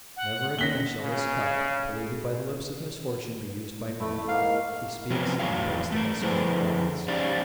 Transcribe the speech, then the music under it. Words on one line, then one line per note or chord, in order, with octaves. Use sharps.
"Never again shall this cup, polluted by the lips of misfortune, be used by man." He speaks, and breaks the vessel into fragments.
F#5
A#3 C#4 A#6 B6 G7
C#3
A3 E4
G#2 A#3 F5
C3 F3 F#3 B3 C#4
E2 A2 E3 F#3 C#5 F5
A3 A#4
D3 F3 E4 G#4 B4 C5
C#4 D#4 G4 C5 D5 F5